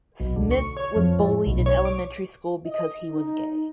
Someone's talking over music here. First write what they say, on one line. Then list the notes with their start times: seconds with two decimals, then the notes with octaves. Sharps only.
Smith was bullied in elementary school because he was gay.
0.20 B1
0.36 D2
0.51 C#6
0.77 C#5
0.96 F2
1.19 A2
1.47 B1
1.66 C#5
1.85 D6
2.66 D#5
3.09 D#4